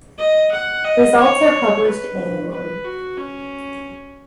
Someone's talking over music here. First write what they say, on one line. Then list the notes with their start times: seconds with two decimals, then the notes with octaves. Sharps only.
Results are published annually.
0.18 D#5
0.51 F#5
0.85 D#5
1.18 C#5
1.85 B4
2.51 B4
2.84 F#4
3.17 C#4